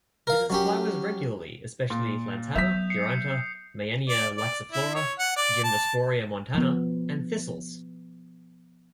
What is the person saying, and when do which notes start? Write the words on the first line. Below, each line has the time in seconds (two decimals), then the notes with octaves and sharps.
Visits flowers regularly especially "Lantana", "Duranta", "Meyenia laxiflora", "Gymnosporia montana", and thistles.
0.27 A#4 F5
0.50 F#3 C#4 G4
1.90 A#2
2.55 F#3 B3 E5 D#6 G6 B6 F7
2.90 C7 C#7
4.09 D5
4.37 D5
4.72 E4
4.95 C#5
5.19 F#5
5.36 D5
5.63 A5
6.55 F3 B3